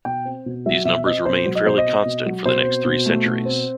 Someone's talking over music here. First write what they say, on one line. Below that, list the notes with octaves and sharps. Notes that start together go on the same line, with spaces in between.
These numbers remained fairly constant for the next three centuries.
B2 G5
C4
B2
F#3 E5
B2 E5
C4 D#5
B2 C5
F#3
D#5
B2 C5
D#5
C4
B2
F#3
B2 C5
C4
B2
A3
B2
C4